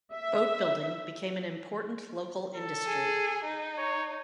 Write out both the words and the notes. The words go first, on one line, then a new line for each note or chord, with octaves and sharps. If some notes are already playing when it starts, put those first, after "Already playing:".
Boat building became an important local industry.
E5
A4
G#4
D#4
C#5